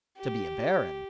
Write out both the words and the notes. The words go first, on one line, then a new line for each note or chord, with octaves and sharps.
"To be a baron."
G4